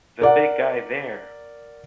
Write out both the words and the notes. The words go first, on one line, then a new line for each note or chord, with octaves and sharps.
The big guy there!
A#4 D5 F#5